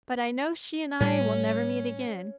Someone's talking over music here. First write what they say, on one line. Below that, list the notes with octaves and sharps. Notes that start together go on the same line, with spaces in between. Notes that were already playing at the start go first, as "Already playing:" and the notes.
But I know she and I will never meet again.
A2 G3 C#4